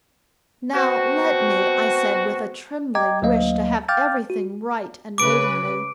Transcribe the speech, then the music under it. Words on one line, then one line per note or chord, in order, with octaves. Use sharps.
"Now let me," I said, with a trembling wish to have every thing right and maidenly.
B2 C4 F#4
D#5 G5 A#5 D6 G#6
D2 F#3 A#3 D#5 F5
F5 G5 D6 F6 G6 A6
F#4
C#3 B4 D6 D7